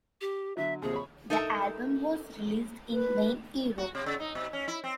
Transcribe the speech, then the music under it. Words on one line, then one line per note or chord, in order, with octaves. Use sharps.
The album was released in main Europe.
G4
D3 F#3 E5
D#2 C3 F3 G#4
C#5 B5
D#4 A4 A#4 E5
B4
F#4
C3
C#3
D#4
B2
C#4
E4
C4